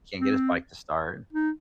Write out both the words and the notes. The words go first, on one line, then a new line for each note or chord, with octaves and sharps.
he can't get his bike to start.
C4
D#4